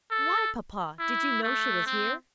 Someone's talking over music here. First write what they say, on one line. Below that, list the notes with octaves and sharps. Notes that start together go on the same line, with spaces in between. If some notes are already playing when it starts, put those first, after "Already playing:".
"Why, papa; did you know she was here?"
A4
E4
A3
C4